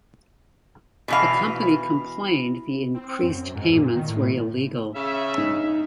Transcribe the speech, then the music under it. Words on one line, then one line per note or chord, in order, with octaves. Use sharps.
The company complained the increased payments were illegal.
B2 E3 F5
C4
F#2
G#2
A#2
D#3
A2
C#3 E5
D#4